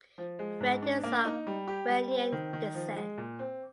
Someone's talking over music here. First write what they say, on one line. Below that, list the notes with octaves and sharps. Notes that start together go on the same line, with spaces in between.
Rad is of Iranian descent.
F3
G#3
G#2
D4
A#3
D#4
G3
G4
G3
C4
D#3
D#3
F3
G#3
A#2
C4